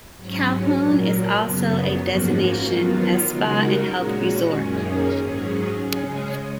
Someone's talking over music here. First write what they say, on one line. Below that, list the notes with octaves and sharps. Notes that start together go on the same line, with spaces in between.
Cahul is also a destination as spa and health resort.
G#2 F#3 C#4
A#2 F#3 A#3
F#2 C#3 F#3 B3
G#2 F3 A#3 C#4 F#4
D#3 F#3 B3 F4
C#3 G#3 D#4 F#4 A#4
A#2 G#3 C#4 F#4
F#2 D#3 A#3 C#4 G#4
G#2 F#3 C#4 G#4
C#3 G#3 C#4 G#4